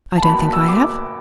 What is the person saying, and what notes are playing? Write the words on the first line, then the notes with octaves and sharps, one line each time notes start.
I don't think I have.
A5
F#1 E2 B2 B5
A5
E6
D6